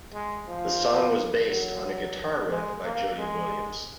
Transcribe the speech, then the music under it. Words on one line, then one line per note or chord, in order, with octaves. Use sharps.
The song was based on a guitar riff by Jody Williams.
G#3
F3
F#3
G#3
A#3
G#3